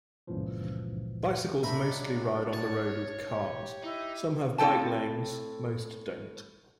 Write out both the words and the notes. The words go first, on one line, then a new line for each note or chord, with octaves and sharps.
Bicycles mostly ride on the road with cars; some have bike lanes, most don't.
G1 C#2 F#2 A#2 E3 F3
A3 D4 A4 C5 E5 A#5 B5
F#3 G#3 D5
C#5 A5
G4
D#4 E4
A2 C4 A4 G5 A5